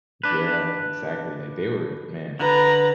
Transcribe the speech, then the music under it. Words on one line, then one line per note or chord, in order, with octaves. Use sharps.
Yeah. Exactly. Like, they were man,
D4 B4
D3 B4 A#5